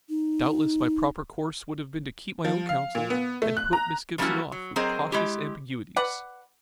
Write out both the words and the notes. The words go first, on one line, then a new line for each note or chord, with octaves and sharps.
Doubtless my proper course would have been to keep my own counsel and put Miss Gibson off with cautious ambiguities.
D#4
F3
F5
A#2
B3
A3
F#6
A#5
F3 G3 A#3 C#4 E4 F#4
F#3
F#3 C4 G#4 A#4 C5 D#5
G#3 E4 G4
B4 D5 F#5